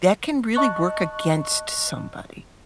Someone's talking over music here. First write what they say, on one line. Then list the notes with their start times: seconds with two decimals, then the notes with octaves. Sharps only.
that can really work against somebody.
0.55 D#5 A5 C#6 F#6